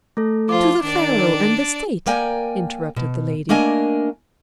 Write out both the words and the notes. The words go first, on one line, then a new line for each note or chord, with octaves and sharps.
"To the pharaoh and the state!" interrupted the lady.
A3 A4
F3 F4 D6
D#3 D4 D5
A#3 A#4 D5 G5 G#5
B2
A3 A#3 D4 A#4 D#5 G#5